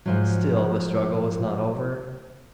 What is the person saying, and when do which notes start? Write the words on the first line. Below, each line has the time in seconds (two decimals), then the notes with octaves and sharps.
Still the struggle was not over.
0.06 G#2 F3 F#3